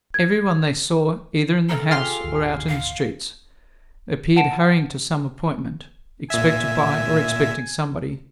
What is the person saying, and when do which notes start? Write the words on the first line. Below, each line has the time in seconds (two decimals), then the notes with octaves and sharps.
Every one they saw, either in the house or out in the streets, appeared hurrying to some appointment, expected by, or expecting somebody.
0.14 G#6
1.69 A4 A#4 F6
1.91 F4 G4 G#4 C6 F6
2.24 D1 G1 D2
2.69 F5
4.36 F#5 A5 D7 E7
6.30 A#2 E5 G#5